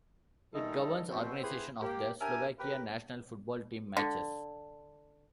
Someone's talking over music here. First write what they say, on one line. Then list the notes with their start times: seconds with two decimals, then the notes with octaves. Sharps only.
It governs organisation of the Slovakia national football team matches.
0.54 D#3 G3 G#3 D#4 E4 A4
1.09 B2 C4
1.43 B3 E4 G4 G#4 B4 C5
1.82 A#3 G4
2.21 D4 G4 A#4 E5 G5 G#5
2.59 G4 A#4 B4
3.97 D3